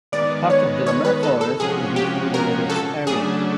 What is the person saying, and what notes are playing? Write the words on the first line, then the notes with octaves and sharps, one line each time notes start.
Part of Delamere Forest is included in its area.
D#3 G#3 B3 D5
C#5
C#5
B4
A4
A4
C3 F3 G#3 C#4 F#4 G#4
G4
A#4
A4
C#3 F#3 A3 D4 G#4